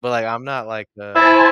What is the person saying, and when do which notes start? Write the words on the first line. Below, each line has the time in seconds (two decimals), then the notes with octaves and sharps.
But, like, I'm not, like, uh
1.16 E4 C5 G#5 A5